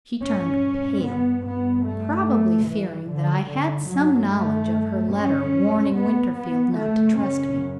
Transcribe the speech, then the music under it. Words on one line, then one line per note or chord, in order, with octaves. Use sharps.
She turned pale--probably fearing that I had some knowledge of her letter warning Winterfield not to trust me.
G2 C#4
B3
B3
A3
E3
D3
G2 D3
F#3
A3
C#4
B3
B3
F#2 C#3 A3
C#4